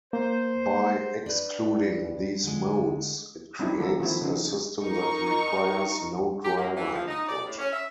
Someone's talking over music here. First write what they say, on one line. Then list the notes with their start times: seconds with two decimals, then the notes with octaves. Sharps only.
By excluding these modes it creates a system that requires no driver input.
0.13 A#3 C5
1.26 D4 B4
2.43 D3 G#3
3.59 G3 C4 D#4 E4 G4
3.78 D#3 F3 A#3 A4
4.00 D#3 F3 C4 E4
4.21 C#3 F3 D#4
4.83 D#4 A#4 C#6
6.43 G4
6.56 A#3
6.75 E3
6.93 F3
7.08 D#4
7.28 D5
7.45 A2
7.59 C#4
7.73 E5